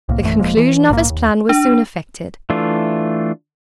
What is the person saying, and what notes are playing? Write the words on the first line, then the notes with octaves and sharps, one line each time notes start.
The conclusion of his plan was soon effected.
C2 A2 A#3
A#1 F#2 E3 A3
D#1 F3 G#3 A#3
E3
A#1 G#2 F#3 A#3
D#2
D4
E3 A3 D4 F4